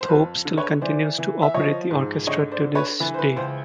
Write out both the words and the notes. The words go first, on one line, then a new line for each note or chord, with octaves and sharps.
Thorpe still continues to operate the orchestra to this day.
C5
F2 B4
D3
B4 C#5
E3 C5 D5
E3
E5
F3 C#5 D#5
G#2
D3 C#5 D#5
C5 D5
D3
B4 C#5
E3 B4
C5
B4
C#2 C5